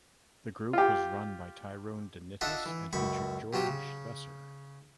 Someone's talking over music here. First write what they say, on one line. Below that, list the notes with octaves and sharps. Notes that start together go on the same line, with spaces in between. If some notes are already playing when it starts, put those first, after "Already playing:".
The group was run by Tyrone DeNittis and featured George Lesser.
F4 G4
D4 F4 A4 D#5 E5 F#5
E3
C#2 F#2 B5 C#6
C3 F#3 F4 G4
C#3